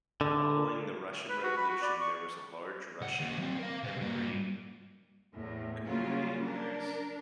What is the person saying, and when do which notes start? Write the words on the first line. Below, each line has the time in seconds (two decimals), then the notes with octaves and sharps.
Following the Russian Revolution there was a large Russian emigre community in Paris.
0.21 D3
1.29 B4
1.44 F#4
1.57 B5
1.70 F#4
1.83 D5
2.01 C#6
3.01 C#3 F#5
3.20 D#2
3.38 F#3 C4
3.59 A#4 F5
3.83 C3 B4
4.01 G2 A#3
5.32 E2 A2
5.85 C#3 F#3 G3 A#3 C#4 F4
6.43 D4 A#4